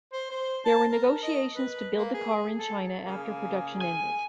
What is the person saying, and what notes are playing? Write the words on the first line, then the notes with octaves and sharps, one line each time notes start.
There were negotiations to build the car in China after production ended.
C5
C5
A5
A#4
D#5
B4
A#3
G#4
A4
C#3 A#3 G#4
G#5